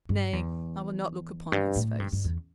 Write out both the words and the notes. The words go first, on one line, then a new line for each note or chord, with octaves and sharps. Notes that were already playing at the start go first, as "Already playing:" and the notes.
Nay, I will not look upon his face.
G2
E2
G2
A2
G2
G2
E2